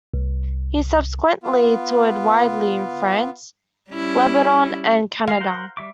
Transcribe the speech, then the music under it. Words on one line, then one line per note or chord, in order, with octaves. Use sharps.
He subsequently toured widely in France, Lebanon and Canada.
C2
B3 F4
G3 C#4 E4
G#3 F5
A#4 C5 F#5
G3 E5 D6